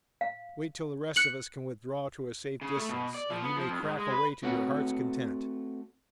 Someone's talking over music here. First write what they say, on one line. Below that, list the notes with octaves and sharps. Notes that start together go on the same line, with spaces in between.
Wait till the rest of us can withdraw to a safe distance; and you may crack away to your heart's content.
F5
F#6 C#7 F#7
C#3
A3
B2
D5
F3
B3
F3
F2
G#2
G#3
B4
A3 C4 F#4 B4 C#5 F#5